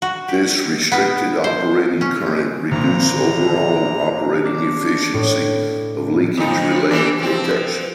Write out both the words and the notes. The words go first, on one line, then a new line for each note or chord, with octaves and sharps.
This restricted operating current reduce overall operating efficiency of leakage relay protection.
F#4
G4
B3
C5
C#4
G#1 A#2 D3 D#3 A#3 A#5
D4
A2
F2 D#4
E3 G3 D4
F3 C4